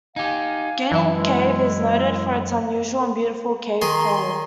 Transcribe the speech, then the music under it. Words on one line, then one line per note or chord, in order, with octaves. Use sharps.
Gaden Cave is noted for its unusual and beautiful cave coral.
D#4 G4 F5 G#5
F#2 E3 A5
G#3 E4
D#3 G#4 A#5 C6